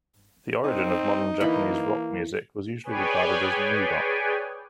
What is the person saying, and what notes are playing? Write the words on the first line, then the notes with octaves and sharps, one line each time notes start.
The origin of modern Japanese rock music was usually regarded as new rock.
C4 D#4
E3 A#3 B5
G#4 B4 C#5 D5 G5 G#5